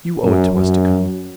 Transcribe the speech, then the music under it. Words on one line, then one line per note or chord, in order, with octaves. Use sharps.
You owe it to us to come.
F#2
F#2